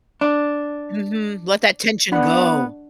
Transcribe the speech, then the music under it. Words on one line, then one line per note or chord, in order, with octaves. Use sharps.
Mhm, let that tension go.
D4
B3 D4 F#5 B5